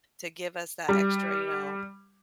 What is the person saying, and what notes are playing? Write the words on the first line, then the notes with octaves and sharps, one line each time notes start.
to give us that extra, you know,
G3